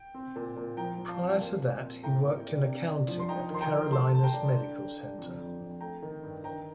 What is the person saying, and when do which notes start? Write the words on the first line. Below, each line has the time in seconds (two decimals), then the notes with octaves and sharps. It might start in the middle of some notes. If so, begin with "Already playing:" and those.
Prior to that he worked in accounting at Carolinas Medical Center.
Already playing: G5
0.14 C4
0.36 A#2
0.56 A#2
0.77 F3 G5 A#5
0.98 F3
1.09 F5 A5
1.19 C4
1.41 A#2
1.61 A#2
1.82 C4
2.03 A2 G5 A#5
2.24 A#3
2.46 D4
2.66 C3
2.87 D4
3.09 F3
3.19 C6
3.29 D#4 G5 A#5
3.50 D#3 C6
3.61 G5 A#5
3.71 D#3
3.92 A3 A5 C6
4.13 A3 A5
4.23 G5 A#5
4.34 D4
4.55 D3
4.76 D3
4.97 D4
5.18 F2
5.39 F2
5.60 F2
5.81 A3 G5 A#5
6.03 D#3
6.23 G2
6.44 D#3 G5 A#5